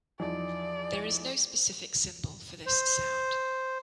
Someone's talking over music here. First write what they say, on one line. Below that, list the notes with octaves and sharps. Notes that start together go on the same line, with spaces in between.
There is no specific symbol for this sound.
E2 F3 D#4 D5
C5